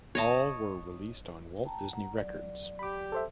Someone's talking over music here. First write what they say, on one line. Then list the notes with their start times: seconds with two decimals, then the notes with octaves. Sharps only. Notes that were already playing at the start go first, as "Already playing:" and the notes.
All were released on Walt Disney Records.
0.15 C#5 D#5 A5
1.64 G5 A5 A#5
1.90 F#5 A#5
2.13 F#3 D5
2.79 G4 B5 D6
3.12 A4 C5 E5